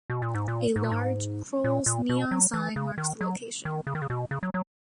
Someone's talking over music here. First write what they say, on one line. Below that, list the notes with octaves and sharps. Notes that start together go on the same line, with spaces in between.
A large "Croll's" neon sign marks the location.
B2
A#2
G#2
A#2
G#2
A#2
G#2
A#2
A#2
B2
F#3
E3
C#3
D#3
F#3
D#3
C#3
D#3
C#3
B2
C#3
F#3
F#3